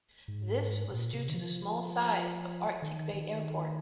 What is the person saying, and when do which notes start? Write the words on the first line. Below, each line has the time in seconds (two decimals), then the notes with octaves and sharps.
This was due to the small size of Arctic Bay Airport.
0.28 G#2
0.91 A#2
1.13 C3
1.29 D#3
1.34 F3
2.82 D#3
3.14 D#3